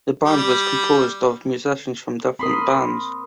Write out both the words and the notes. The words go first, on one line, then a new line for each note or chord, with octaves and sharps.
The band was composed of musicians from different bands.
G3
C4 A#4 B5 C6 D#6